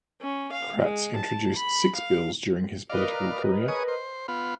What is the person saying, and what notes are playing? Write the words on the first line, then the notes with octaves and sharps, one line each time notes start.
Kratz introduced six bills during his political career.
C#4
F5
G#3
A5
B5
F5
A#4 B4 D5 D#5 F5
G#4 C#5 D#6
C5
B3 F4